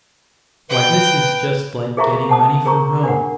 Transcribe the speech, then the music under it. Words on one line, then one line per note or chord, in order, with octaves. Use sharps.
"Why, this is just like getting money from home."
B4 G5
G#4 A#4 E5 F5 A#5 C#6
F#5 A5 D#6
G#4 A#4 A#5 C#6
D4 A#4 F#5